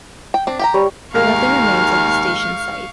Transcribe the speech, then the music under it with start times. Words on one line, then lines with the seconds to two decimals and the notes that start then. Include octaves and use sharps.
Nothing remains of the station site.
0.34 G5
0.47 C4 D4
0.59 G4 G5 A#5
0.74 G3 C#5
1.14 D#2 G#2 A#3 A#4 F5 C#6 F6